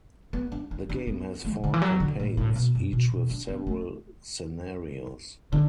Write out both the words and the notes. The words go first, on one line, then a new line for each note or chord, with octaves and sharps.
The game has four campaigns, each with several scenarios.
B3
D4
D4
D4
B3
A3
B2
D3
E3
F#3
D3
A2
A2
B2
F#2
B2
B2
D4
B3
A3
D3